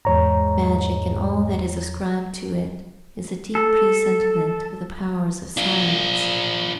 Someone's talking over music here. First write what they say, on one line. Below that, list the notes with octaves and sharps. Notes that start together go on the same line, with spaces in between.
Magic and all that is ascribed to it is a deep presentiment of the powers of science.
E2 G#2 C#5 A#5
A4
D4 F4